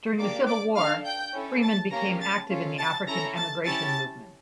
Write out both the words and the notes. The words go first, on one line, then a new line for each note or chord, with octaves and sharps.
During the Civil War, Freeman became active in the African emigration movement.
A#3 D4 G4 D5 D6
D5 D6
D4 A4 F5 F6
G5 G6
C#4 E4 A4
A5 A6
A#3 C#4 G4 A#5 A#6
A5 A6
C#4 F4 A4
A5 A6
C#4 E4 A4 A#5 A#6
A5 A6
C#4 E4 G4 A5 A6